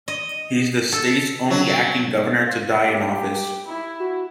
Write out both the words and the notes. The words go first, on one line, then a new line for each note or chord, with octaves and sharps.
He is the state's only acting governor to die in office.
D#5
A4
F#3
F4
G4
E4
F#4